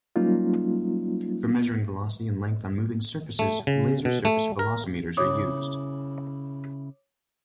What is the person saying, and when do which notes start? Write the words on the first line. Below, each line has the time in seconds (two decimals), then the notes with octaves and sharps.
For measuring velocity and length on moving surfaces, laser surface velocimeters are used.
0.16 F#3 G3 A#3 C#4 D#4 F4
3.39 A3
3.67 C#3
4.05 B2
4.25 A3
4.59 A#4
5.17 C#3 E4 C#5 D6 D#6